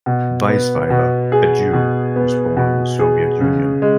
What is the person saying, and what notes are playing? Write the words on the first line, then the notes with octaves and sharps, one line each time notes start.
Weisfeiler, a Jew, was born in the Soviet Union.
B2
B3
B2
G#4
B2
B3
B2
G#4
C#3
G#3